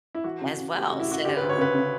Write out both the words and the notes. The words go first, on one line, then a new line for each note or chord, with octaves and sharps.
as well, so
E4
E3 F#4
C#3
C#3
A3 G4
F#4
C#3
E4
C#3 F#4
D2 G4
B4
D2
C#5
C#3 B4
C#3